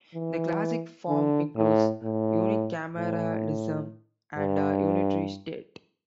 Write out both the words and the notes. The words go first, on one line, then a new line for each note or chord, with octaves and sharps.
The classic form includes unicameralism and a unitary state.
E3
D3
A2
A2
A2
G2